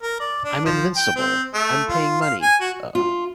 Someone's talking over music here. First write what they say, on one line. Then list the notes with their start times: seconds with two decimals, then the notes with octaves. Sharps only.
I'm invincible, I'm paying money... uh...
0.03 A#4
0.20 D5
0.44 D4
0.65 F3
0.96 G5
1.16 C4
1.54 A3
1.89 F4
2.21 F5
2.42 G#5
2.61 F#4
2.95 F4